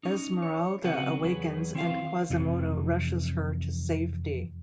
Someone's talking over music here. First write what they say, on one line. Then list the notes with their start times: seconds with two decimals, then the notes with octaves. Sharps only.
Esmeralda awakens and Quasimodo rushes her to safety.
0.03 C#4 D#4
0.42 C#5
0.84 C#3 F#3 C4 F#4 B4 F#5
1.23 E2 F#3 G#4 B4
1.75 D#3 C4 E4 F4 E5 F5
2.30 F2 C3 E3